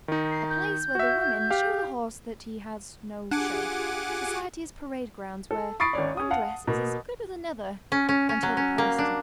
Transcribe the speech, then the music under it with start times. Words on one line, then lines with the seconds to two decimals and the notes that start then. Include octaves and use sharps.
A place where the women show the horse that he has no show. Society's parade grounds, where one dress is as good as another until the price is known.
0.08 D#3 D#4
0.31 C7
0.49 G6
0.95 F#4 E5
1.50 G4 F5
3.31 D4 F4 G4 G#4 F#5 G#5 D6
5.51 A4
5.80 B5 C#6 D#6 A6 C7 D7
5.93 G#1 C#4 C#5 D5
6.17 C#4 D#6
6.31 F5 F#5 A5
6.67 B2 A#3
7.92 C#4
8.09 C#4
8.29 C#4
8.43 F#3
8.57 C#4
8.78 A#3
8.98 D4